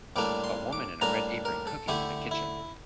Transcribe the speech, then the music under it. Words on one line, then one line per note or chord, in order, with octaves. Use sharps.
A woman in a red apron cooking in the kitchen.
A2 G3 A#3 D4 D6
C6
D6
A2 G3 A#3 D4 A#5
A#4
A4
D3 A3 E4 G4
E4